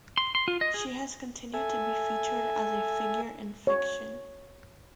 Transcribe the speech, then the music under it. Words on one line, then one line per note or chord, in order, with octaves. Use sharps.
She has continued to be featured as a figure in fiction.
C6
C6
F4
D#5
G#4
A4 E5 G#5
C#5